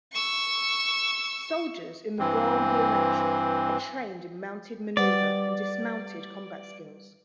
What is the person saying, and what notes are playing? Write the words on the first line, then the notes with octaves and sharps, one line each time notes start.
Soldiers in the Royal Yeomanry are trained in mounted manoeuvre and dismounted combat skills.
C#6 E6
G2 E3 C4
G3 B3 C5 D5